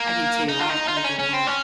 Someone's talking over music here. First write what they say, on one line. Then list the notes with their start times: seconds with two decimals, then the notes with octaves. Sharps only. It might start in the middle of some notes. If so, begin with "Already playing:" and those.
I do too. I I like that a lot.
Already playing: A#3
0.49 D#4
0.59 F4
0.70 D#4
0.88 F4
0.97 D#4
1.05 C#4
1.19 C#4
1.34 C4
1.47 C#4